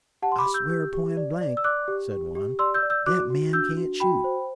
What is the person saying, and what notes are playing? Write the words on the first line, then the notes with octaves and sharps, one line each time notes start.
"I swear poin' blank," said one, "that man can't shoot."
G4 F#5 A5
C6
B5 D6
G4
E6 G6
G4
G4
D5
D5
E6
D5 D6 F#6
G4
G4
G4
D5 C6 E6
E6 G6
D5
E6 G6
F#4 D6 F#6
F#4
D4 E6 G6
F#4
F#4 G5 B5
C5